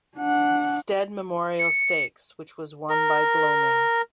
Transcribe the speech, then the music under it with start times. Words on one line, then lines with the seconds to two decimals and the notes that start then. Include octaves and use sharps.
Stead Memorial Stakes which was won by Gloaming.
0.17 D4 F#5
1.59 C#7
2.90 A#4